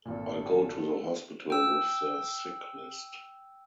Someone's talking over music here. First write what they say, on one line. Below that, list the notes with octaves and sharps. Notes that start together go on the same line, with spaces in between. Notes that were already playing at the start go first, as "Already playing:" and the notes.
I'll go to the hospital with the sick-list.
G#1 A#2 A4
G5 E6